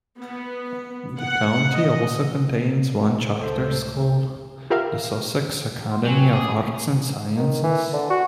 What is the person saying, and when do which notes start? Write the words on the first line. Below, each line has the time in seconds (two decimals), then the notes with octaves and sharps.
The county also contains one charter school, the Sussex Academy of Arts and Sciences.
0.19 B3
1.19 F#5
1.77 D#5
3.39 C#2 A2 A4 C5
4.70 F4 G4 A#4 E5 F5
5.92 C6
6.05 F#3 B4 G5 G#5
6.33 C#4 G#4 D6 D#6
7.36 D#3
7.63 E3
7.93 D3
8.10 F#4